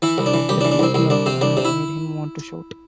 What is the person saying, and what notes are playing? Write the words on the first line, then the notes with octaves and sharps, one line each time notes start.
The beauty of the night made him want to shout.
E3 E4
C2
D4
E3
C2 G4
D4
E3
D4
C2 C4
C2 C4
C2 D4
C3 C4
C2 D4
C3
E4